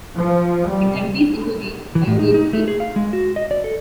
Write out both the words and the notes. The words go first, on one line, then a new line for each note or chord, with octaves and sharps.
It empties into the Ionian Sea.
F3
G3
E3
A2
D#4
D#4
A3
G#4
F5
G#3
F#4
D#5
D5
A4